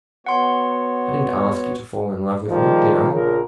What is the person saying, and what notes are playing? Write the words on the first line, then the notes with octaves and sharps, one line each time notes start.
I didn't ask you to fall in love with me, did I?
B3 F#4 C#5 F#5 C6
D#3 F3 G3 G#3 A#3
A#1 C#3 F3 A#4